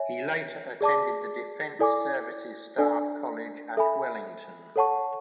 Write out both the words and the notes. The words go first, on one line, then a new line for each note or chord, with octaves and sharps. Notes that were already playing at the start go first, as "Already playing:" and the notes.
He later attended the Defence Services Staff College at Wellington.
Already playing: C#5 E5 G#5
G#4 D5 A5 D6
E4 A4 D5 G#5 D6
D4 A4 D5 G#5
A4 E5 G#5 B5
A4 C#5 F#5 A5 C#6